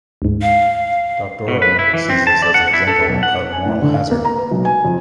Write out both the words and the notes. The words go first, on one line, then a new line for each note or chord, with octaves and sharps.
Doctorow sees this as an example of moral hazard.
D2 G#2
F5
B2
B4
E4
E3
C4
A5
D5
F#5
E4
A4
B1
F#5
G#5
A2
D3
F5
A#3
A#5
B4
B1
G#5
F2